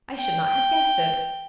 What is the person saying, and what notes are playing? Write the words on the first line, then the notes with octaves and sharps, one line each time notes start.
I should not have guessed it.
G5